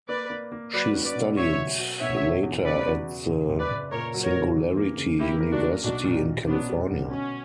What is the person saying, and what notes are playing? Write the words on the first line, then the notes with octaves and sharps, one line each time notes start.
She studied later at the Singularity University in California.
A#3 B4 D5
A#3
A#3
F#3 B4 D5
C#4
B4 D5
B2
F#4 C#5 E5
F#3
F#4
B2 C#5 E5
D4
E2
C#3 B4 D5
F#4
F#4
F#1
F#1
B4 D5
F#1
A#2 A#4 C#5
F#3
A#4 C#5
F#3
E3
A#3
C#3
A#3 E4 G4
A#4
D4 F#4
A#3
B1 D4 F#4
A#2
B1
B3 C#4 D4
G3
D3
B2 C#4